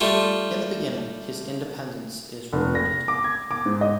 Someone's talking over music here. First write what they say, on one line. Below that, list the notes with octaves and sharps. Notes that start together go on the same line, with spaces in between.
In the beginning, his independence is rewarded.
G3 A3 F4
F1
A#6
D6
G#6
D6
G#2
D#5